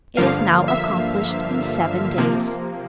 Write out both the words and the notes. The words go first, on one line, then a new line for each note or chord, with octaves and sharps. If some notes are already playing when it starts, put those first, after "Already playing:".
It is now accomplished in seven days.
G2 D3 F3 A#3 F5
E5
C3 F3 A#3